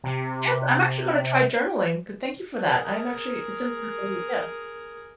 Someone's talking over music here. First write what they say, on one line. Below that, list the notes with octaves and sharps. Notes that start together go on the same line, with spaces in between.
Yes. I'm actually gonna try journaling. Th thank you for that. I am actually it sounds like a great idea.
C3
G#4 A#4